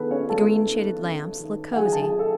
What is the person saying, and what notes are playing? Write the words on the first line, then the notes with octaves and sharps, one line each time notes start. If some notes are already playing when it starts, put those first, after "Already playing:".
The green shaded lamps look cosy.
Already playing: D#3 B3 G#4 A4 B4
C#4 C#5
G#3 A4 A5
D#2
C#4
D#3
F#5
F#3 G#4 G#5
A5
G#4 G#5
A4